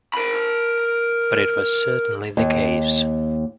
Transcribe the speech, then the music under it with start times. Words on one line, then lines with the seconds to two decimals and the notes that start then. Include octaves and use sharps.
But it was certainly the case.
0.14 A#4 B5
2.37 D#2